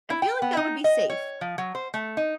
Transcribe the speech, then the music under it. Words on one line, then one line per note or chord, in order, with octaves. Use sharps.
I feel like that would be safe.
E4
G5
B3
D#4
D#5
C#5
F3
F#3
C5
A3
D#4